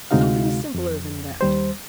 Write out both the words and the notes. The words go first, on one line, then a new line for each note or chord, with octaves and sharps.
Something simpler than that.
D2 C3 G#3 D#4 F#4 F5
F2
D#2 G3 C5